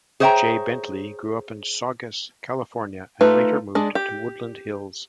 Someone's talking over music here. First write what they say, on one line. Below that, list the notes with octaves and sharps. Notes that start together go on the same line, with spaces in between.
Jay Bentley grew up in Saugus, California, and later moved to Woodland Hills.
G#4 C5 C#5 E5 G5 A#5
A3 D#4 F4 B4
G#3 D4
G4